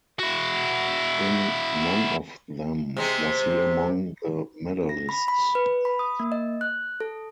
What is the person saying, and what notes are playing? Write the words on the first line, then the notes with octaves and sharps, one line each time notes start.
In none of them was he among the medallists.
E4 F#4
C3 G#3 C4
A#6
B5
B5
B4
B5
D#6
A#3
D#5
F#6
A4